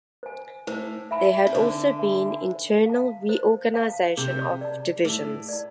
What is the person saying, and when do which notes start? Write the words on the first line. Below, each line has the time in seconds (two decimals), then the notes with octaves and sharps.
There had also been internal reorganisation of divisions.
0.23 C5 G#5
0.67 A2 C5
1.11 E5 G#5 B5
1.47 C3
1.54 D3 C5
1.99 E5 G#5 B5
2.42 C5
2.86 F5 A5
3.29 C5
3.74 F5 A5
4.17 C3 G#4
4.61 D5 A5
5.05 A2 G#4
5.49 D5 A5